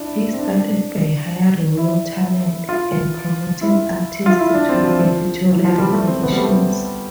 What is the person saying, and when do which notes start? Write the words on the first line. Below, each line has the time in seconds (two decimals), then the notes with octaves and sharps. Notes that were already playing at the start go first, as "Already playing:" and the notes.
He started by hiring new talent, and promoting artists to editorial positions.
Already playing: D4 E4
0.33 C4
0.39 D4
1.77 E4
2.69 F4
3.61 E4
4.26 F4
4.39 E4
4.54 D4
4.69 C4
4.84 F3
4.99 F3
5.52 E3
5.65 F3
5.78 G3
5.92 A3
6.07 C4
6.23 B3
6.32 G3
6.38 A3